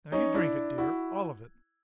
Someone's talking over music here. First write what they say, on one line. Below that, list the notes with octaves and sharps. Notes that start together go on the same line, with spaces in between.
"Now you drink it, dear; all of it."
C#4 D#4
D4 E4
E4 F#4